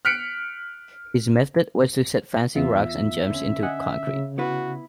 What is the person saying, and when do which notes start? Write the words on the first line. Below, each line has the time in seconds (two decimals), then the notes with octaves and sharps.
His method was to set fancy rocks and gems into concrete.
0.05 F6 F#6 B6 C#7 D7
2.56 E2 B3 F4 E5
3.30 D3 C#4
3.63 D#5 F#5 G#5
4.07 C#3
4.38 B3 E4 F#4 B4